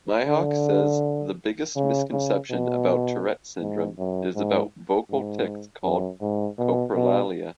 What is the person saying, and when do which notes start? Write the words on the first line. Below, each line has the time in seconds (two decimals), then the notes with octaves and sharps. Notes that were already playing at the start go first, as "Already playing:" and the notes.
Mihok says the biggest misconception about Tourette's Syndrome is about vocal tics, called coprolalia.
0.27 D3
1.76 C#3
2.13 C#3
2.50 B2
3.61 G#2
3.99 F#2
4.35 G#2
5.10 G#2
5.84 F#2
6.21 G#2
6.58 B2
6.95 B2